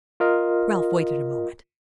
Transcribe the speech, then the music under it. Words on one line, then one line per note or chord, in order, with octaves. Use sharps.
Ralph waited a moment.
F4 A#4 D#5